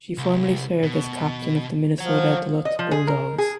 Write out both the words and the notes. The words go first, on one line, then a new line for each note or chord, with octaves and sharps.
She formerly served as captain of the Minnesota Duluth Bulldogs.
C2
B2
F3 C#5 F#5
D#5
F3
G#4
A#4
G#4